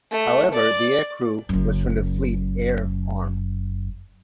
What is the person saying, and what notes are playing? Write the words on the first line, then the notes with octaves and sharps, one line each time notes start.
However, the aircrew was from the Fleet Air Arm.
A3
D5
F#1 F#2